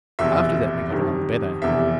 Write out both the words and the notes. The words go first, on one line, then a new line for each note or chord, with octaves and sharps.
After that we got along better.
F1 E2 B2 E5
F2 C3 D#3 G3
F1 E2 C3 E5